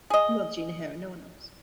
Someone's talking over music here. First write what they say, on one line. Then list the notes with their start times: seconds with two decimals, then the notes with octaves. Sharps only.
You are the Gina here, and no one else.
0.10 G#4 D#5